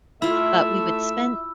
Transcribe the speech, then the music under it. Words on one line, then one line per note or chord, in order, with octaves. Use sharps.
but we would spend
A3 E4 F4 E5 B5 E6